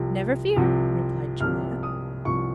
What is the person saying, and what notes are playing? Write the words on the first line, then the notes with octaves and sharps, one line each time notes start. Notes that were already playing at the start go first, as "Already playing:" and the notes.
"Never fear," replied Julia.
Already playing: C2 C3 F3
C2 C3 F3
C2 C3 F3 F6
D#6
C2 C3 F3 C#6